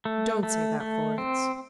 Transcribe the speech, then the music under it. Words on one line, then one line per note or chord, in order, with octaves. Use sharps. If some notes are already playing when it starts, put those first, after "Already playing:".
"Don't say that, Florence."
A3
A3
A3
C4